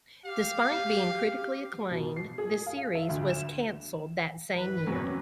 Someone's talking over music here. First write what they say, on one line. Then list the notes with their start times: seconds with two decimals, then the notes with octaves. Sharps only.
Despite being critically acclaimed, the series was canceled that same year.
0.25 G4 F5
1.91 B2
2.16 C7
2.38 G#4
2.66 F5
2.95 E5
3.09 D2
3.30 E7
4.55 E3 B4
4.87 E2 C3 F#3 C#4